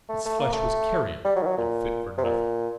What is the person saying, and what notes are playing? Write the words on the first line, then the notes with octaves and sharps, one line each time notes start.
Its flesh was carrion, and fit for nothing.
A3
A3
A#3
A3
G3
F#3
D#3
F#3
A#2
C3
A#2